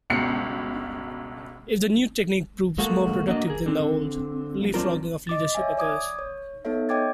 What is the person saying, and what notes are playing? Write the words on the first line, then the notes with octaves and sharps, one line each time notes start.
If the new technique proves more productive than the old, leapfrogging of leadership occurs.
G1 C#2 B2 C7 C#7
G#3 A#3 F#4 A4
A#3 D4 F#4 D#5
G#4 A#4
D3 C4
C4 D4 F4 A#4
D#5 D6 A6
C#5 E5 G#5
D5 D6 D#6 G#6
C#5
B3 D#4 A4 C#5 E5
C#5 D#5 G5 D6 G#6 A6